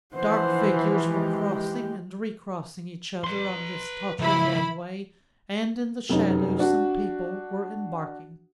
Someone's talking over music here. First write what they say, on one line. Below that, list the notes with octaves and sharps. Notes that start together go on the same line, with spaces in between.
Dark figures were crossing and recrossing each other on this tottering gangway, and in the shadow some people were embarking.
E3 F3 C5 F#5
G#3 G4
B4 C6
C#3 F3 E4 B5
F1 F#2 F#3 D#4
D4 F#4